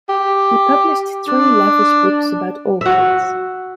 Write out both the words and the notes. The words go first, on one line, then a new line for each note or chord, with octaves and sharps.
He published three lavish books about orchids.
G4
D4
F#4 E5